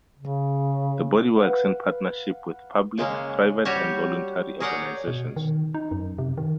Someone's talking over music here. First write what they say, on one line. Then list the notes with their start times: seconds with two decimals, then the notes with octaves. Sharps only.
The body works in partnership with public, private and voluntary organisations.
0.18 C#3
1.37 B4 F5 F#5
2.98 C#3 G#3 A#3 C#4
3.65 G3 F#4 G4 C#5
4.60 G#4 A#4 C#5 D5 F#5 G5
5.08 B2
5.36 D#3
5.74 D#4
5.91 F#2
6.18 C3
6.38 D#3